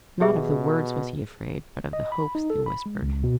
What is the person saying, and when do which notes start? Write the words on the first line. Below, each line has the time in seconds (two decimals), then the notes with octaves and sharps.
Not of the words was he afraid, but of the hopes they whispered.
0.21 B2 G4 G#4 E5
1.93 D#5
2.12 B5
2.35 D#4
2.50 A4
2.66 B5
2.86 G#3
3.02 C#2
3.24 B2